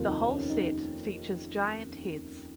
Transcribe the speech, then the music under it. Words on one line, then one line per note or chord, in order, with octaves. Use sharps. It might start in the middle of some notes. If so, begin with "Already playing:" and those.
The whole set features giant heads.
Already playing: F1 D#2 D#3 F4
D#4
C4
C#4
D#4